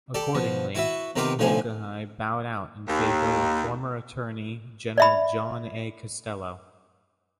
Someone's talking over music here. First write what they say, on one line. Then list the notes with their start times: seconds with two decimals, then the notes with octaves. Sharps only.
Accordingly, Mulcahy bowed out in favour of former Attorney General John A. Costello.
0.14 G4 A4 D5
0.35 B2 F3
0.75 E4 F#4 B4 E5
1.16 C3 D#3 B3 F4 B4 D6
1.39 B1 A2 D3 F3 F4 G#5
2.88 D#2
4.98 D5 E5 B5